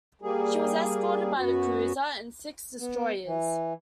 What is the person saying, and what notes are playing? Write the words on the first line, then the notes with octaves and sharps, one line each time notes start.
She was escorted by the cruiser and six destroyers.
G3 A#3 G#4
F#2 B3 F#4
B3
E3